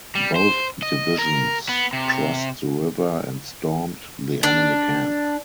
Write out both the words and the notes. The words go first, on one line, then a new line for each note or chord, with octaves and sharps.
Both divisions crossed the river and stormed the enemy camp.
G3
C5
D#5
A#4
B3
C3
D4